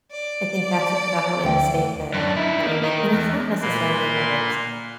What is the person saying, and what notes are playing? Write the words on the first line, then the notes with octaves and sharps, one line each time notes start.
I think that's definitely a mistake that that we make, and it's not necessarily that it's,
D5
D2 G5
F#2 D4
D#4 E4
A#3
A#4 D#5
E2
A#2 A#3 B4 C6